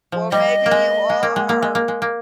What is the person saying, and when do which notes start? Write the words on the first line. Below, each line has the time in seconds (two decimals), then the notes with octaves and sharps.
Well, maybe you are.
0.12 F3
0.32 G3 D#5
0.66 A#3
0.71 G#3
1.10 G#3
1.23 A#3
1.36 G#3
1.49 A#3
1.62 G#3
1.75 A#3
1.88 G#3
2.02 A#3